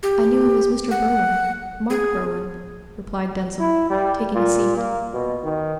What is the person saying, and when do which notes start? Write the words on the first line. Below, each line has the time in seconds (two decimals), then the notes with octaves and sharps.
"I knew him as Mr. Berwin--Mark Berwin," replied Denzil, taking a seat.
0.03 G4
0.91 F#5
1.90 G#4
3.60 E4
3.90 G3
4.35 A#2
4.77 A#3
5.14 B2
5.44 D#3